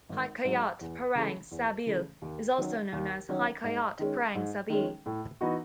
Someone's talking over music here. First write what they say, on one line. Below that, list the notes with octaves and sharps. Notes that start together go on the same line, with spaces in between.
Hikayat Perang Sabil is also known as "Hikayat Prang Sabi".
G#1
G#2 F#3
E2
C#3 E3 A3
E2
C#3 E3 A3
D#2
D#3 F#3 C#4
D#2
D#3 F#3 C#4
G#2
D#3 G#3 C#4
G#2
D#3 G#3 C#4
A2
E3 B3 D#4 F#4